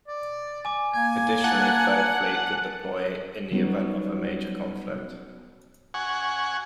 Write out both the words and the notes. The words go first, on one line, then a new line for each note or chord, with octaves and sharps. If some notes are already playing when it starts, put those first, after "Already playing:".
Additionally, Third Fleet could deploy in the event of a major conflict.
D5
G#5 D6
A#3 G#5 G#6
F#5 A5 A6
F#3 G3 B3 C#4 D#4 F#4
F#5 G#5 C#6